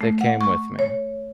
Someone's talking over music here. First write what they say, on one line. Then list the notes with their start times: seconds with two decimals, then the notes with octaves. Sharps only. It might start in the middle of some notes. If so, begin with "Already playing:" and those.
They came with me.
0.01 A3
0.21 F#5
0.41 C#6
0.79 C#5